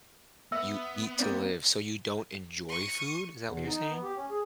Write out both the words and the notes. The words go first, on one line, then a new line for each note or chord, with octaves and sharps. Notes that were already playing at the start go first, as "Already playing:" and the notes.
"You eat to live." So, you don't enjoy food, is that what you're saying?
B3 E5 E6
A#3 C4 D5
C#6 D#7
E2
D#4
B3
G4
C#4
G#4